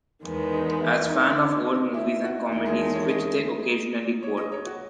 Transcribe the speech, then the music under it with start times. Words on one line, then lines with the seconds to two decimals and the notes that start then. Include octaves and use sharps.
A fan of old movies and comedies, which they occasionally quote.
0.24 E2 D#3 G#3 B3
0.52 D#4
0.81 E4
1.09 D#4
1.38 C#4
1.66 D#4
1.94 E4
2.24 F#4
2.52 E2 D#3 G#3 E4
2.65 G#4
2.80 A4
2.95 C#5
3.08 D#5
4.23 C#5
4.37 D#5
4.52 C#5
4.66 F#4